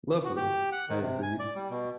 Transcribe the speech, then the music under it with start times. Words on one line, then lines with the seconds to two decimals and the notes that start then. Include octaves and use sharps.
"Lovely," I agreed.
0.25 F#4
0.36 G4
0.72 F#5
0.89 D#3
1.01 C3
1.22 G#5
1.39 D5
1.55 G3
1.70 B2